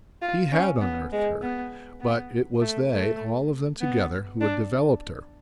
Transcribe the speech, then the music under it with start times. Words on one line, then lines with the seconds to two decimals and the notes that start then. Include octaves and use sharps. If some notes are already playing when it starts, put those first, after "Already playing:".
He HAD unearthed her, but it was they, all of them together, who had developed her.
0.22 F4
0.52 C#4
0.81 B3
1.12 G#3
1.42 B3
2.01 B3
2.61 A3
2.92 A3
3.81 B3
4.41 D4